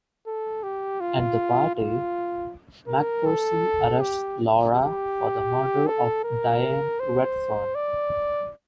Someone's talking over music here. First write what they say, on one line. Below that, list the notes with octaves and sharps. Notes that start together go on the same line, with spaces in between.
At the party, McPherson arrests Laura for the murder of Diane Redfern.
A4
G4
F4
F4
A#4
A4
G4
G4
A4
A#4
C5
D5